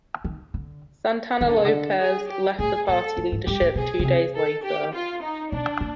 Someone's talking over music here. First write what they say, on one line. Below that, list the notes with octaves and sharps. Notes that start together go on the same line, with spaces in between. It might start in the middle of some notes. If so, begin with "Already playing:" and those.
Santana Lopes left the party leadership two days later.
D#3
D3
D#3 A4
D3
C#3
D3
G#4
G4
A2 G#4
A#2 A4
A2
G#2
G2 G4
A2
B2 G#4
C#3
C3
A4
G4
F4
D#4
B2 D4
A#2